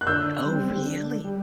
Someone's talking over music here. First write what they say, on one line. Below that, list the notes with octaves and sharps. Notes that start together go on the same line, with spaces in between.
Oh, really.
F#6
D3 E6 G6
G3 C4
D3
G3